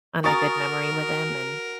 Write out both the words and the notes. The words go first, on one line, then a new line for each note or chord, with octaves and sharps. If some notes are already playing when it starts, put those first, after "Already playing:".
on a good memory with him, and
F#4 A#4 G#5 A#5 C#6 D#6 A6